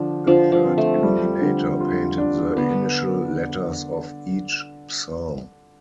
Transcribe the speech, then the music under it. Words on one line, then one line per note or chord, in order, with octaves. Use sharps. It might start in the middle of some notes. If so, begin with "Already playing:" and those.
A third illuminator painted the initial letters of each psalm.
Already playing: D3 F3 D4
D3 F3
F3
C4
A3
G3
D3
F4
D4
D3 B3